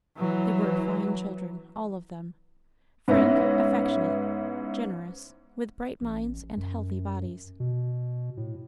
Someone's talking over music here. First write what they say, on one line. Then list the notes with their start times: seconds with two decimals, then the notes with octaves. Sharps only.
They were fine children, all of them,--frank, affectionate, generous, with bright minds and healthy bodies.
0.18 E3 F#3
3.08 G#2 B3 C#4 E4 E5 A#6
6.01 A1
6.57 F#2
7.60 B2
8.37 A2